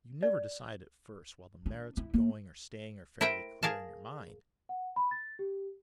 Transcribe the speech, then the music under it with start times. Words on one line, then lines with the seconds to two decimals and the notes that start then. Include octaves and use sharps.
You never decide at first while the merits of going or staying are fairly clear in your mind.
0.23 D5
1.66 D4
1.97 E4
2.14 A#3
3.21 E4 A#4 C5 E5 G5 A#5
3.63 G#4 A#4 F5 A5
4.69 F#5
4.96 B5
5.11 A6
5.39 G4